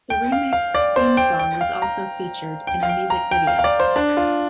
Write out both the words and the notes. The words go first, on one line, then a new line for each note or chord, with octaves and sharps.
The remixed theme song was also featured in a music video.
G5
F5
F5
D5
C5
G5
G5
F5
A#5
G5
F5
G5
A#5
G5
F5
F5
D5
C5
D4
F4